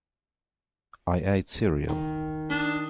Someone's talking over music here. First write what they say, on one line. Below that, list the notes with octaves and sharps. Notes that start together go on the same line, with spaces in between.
I ate cereal.
D#3
D4 D#5